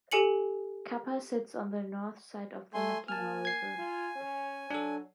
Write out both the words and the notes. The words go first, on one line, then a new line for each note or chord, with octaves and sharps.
Kappa sits on the north side of the Mackinaw River.
G4 A4 G#5 C#7 F#7
A3 G#5 C6
A#3 G#5 A5 F6
G#6 C7
F4
C#4
F#3 D4 A4